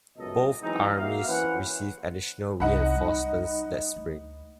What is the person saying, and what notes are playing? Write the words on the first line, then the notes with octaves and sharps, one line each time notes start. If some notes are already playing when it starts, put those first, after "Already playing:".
Both armies received additional reinforcements that spring.
C#2 F#2 B2 A4 D#5
E3 F#3 G#3 C4 D#4
A#3 F#4 E5 F5
E3 C#4 B4 C5 F#5
C2 D#4 F#5 B5
G3
D2